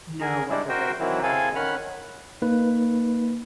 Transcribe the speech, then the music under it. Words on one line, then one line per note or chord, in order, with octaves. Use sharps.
know what the right path is?
G#4 A#4
G3 G#3 D4 E4
F#4 A#4 C5 G5
D#3 E3 F#3 C4 E4
C4 E4 G#4 A4 F5 G#5
D#3 C#4 F#5 B5 F6
A#3 D#4 B4